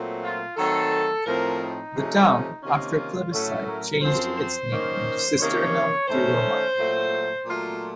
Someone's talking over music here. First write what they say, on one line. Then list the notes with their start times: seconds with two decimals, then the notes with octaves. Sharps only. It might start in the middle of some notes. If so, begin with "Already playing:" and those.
The town, after a plebiscite, changed its name into Cisterna di Roma.
Already playing: A#2 F#3 A3 C4
0.22 F4
0.56 D#3 F#3 A3 C4 A4
1.26 A2 F3 C4 A#4
1.60 D#4
1.94 C3 F3 A3 C#4
2.63 C3 D#3 A#3 C#4 F4
3.32 A2 F#3 A3 C#4 A4
3.66 A#4
4.01 F#2 F3 C4 C5
4.36 C5
4.71 D#3 A#3 C#4
5.39 C3 D#3 A#3 C#4 C#5
6.08 D#3 A3 C#4 C5
6.77 A#2 F#3 A3
7.46 A#2 F#3 A3 F4